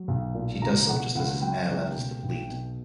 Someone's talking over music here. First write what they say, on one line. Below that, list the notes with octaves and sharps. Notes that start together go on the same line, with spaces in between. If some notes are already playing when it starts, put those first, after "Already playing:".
She does so just as his air levels deplete.
Already playing: F#3
B1
A#2
C#2 A#5
B2 F#5
C#2 F#5
F#3 G5
C#2
B2
B1
B2